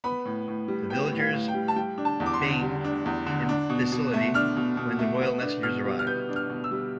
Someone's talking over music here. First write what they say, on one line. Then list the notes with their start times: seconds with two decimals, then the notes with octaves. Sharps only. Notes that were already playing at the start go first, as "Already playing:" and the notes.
The villagers feigned imbecility when the royal messengers arrived.
0.04 B3 B5
0.25 A2
0.48 A2
0.68 G3
0.90 B3 G5
1.12 A2
1.19 F5
1.33 A2
1.48 G5
1.54 G3
1.68 A5
1.76 G3 G5
1.98 D4
2.05 A5
2.20 E2
2.26 D6
2.34 C6
2.41 D3
2.62 G3
2.84 D4
3.06 E2
3.26 D3
3.49 D4
3.70 B2
3.92 B2
4.14 A3
4.34 D4 F6
4.57 B2
4.77 B2
4.99 A3
5.21 B3
5.42 D4
5.63 B2 F6
5.85 G3
5.99 F6
6.07 B3 G6
6.29 D4
6.36 F6
6.49 B2
6.64 E6
6.71 G3